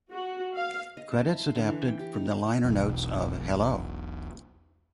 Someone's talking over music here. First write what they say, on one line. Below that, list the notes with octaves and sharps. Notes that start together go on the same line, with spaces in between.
Credits adapted from the liner notes of "Hello".
F#4
F5
D#5
A5
E4
C6
D3
E3
G5
G4
D#4
C5
E1 B1